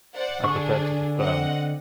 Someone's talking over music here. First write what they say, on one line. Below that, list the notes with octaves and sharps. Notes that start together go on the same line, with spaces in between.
I prepared to be firm.
C5 D5 F#5
D3 D4 G#4 C#6
C4 D#5 F#5